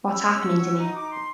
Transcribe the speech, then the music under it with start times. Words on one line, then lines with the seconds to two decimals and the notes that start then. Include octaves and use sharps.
What's happening to me?
0.11 C#4 E6
0.33 C#4
0.55 F#4
0.77 D#4 D#6
0.94 D6
1.00 D#4
1.11 C6